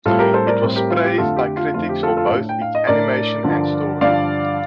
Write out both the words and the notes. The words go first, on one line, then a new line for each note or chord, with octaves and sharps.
It was praised by critics for both its animation and story.
A2 G3 C4 F4 A4
G4 A#4
A4 C5
A#4 D5
A2 G3 C4
G4 A#4
F4
G4
F2 D3 F3 A3 F4 A4
G4
F4
F2 D3 F3 A3 F4
G4
F4 A4
F4 A4
A2 A3 D4
G5
F5
D#5
A2 A3 D4 A#4 D5
G2 D3 F3
G2 D3 F3 D5 F5